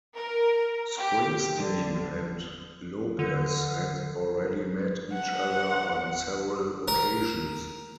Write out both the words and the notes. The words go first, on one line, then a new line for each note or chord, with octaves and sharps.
Springsteen and Lopez had already met each other on several occasions.
A#4
G4
D3
D3
F#5
A#4